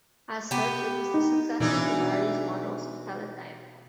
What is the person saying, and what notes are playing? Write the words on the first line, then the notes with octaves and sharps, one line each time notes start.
As such, it was the successor to various models of Teletype.
B3 G4
D#4
B2 E3 D4 D#4